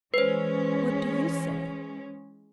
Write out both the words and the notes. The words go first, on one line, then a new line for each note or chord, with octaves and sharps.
What do you say?'
E3 G#3 C#4 B4 C5